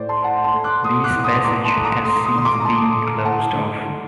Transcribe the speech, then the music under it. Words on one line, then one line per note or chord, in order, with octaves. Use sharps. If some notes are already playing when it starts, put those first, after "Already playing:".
This passage has since been closed off.
Already playing: A2 A3 C5 D5
A5 C6
A2 F#5 A5
A5 C6
A3
D6 F#6
A3 C6 D#6
D6 F#6
A2
C6 D#6
C6
A2 A#5 D6
A5 C6
A3
A#5 D6
A3 C6 D#6
C6 D#6
D3 C6
A#5 D6
A#5
D3 A5 C6
A3
A3 F#5 A5
D3
D3